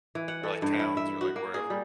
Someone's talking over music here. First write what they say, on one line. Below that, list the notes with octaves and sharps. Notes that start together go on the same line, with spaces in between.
or, like, towns or, like, wherever,
E3
F#5
A4
G2
E4
E5
F#4
A#3
G#4
G3